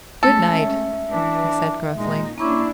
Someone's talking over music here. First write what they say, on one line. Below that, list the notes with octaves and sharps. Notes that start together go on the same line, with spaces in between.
"Good-night!" he said gruffly.
G#3 A3 C#4 A4
E5
E3 D4
A#2 G#3 D#4
A#3 C#4 D4 E4 C#6 D6